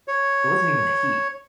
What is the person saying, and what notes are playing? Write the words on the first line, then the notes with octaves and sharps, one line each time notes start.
it wasn't even the heat.
C#5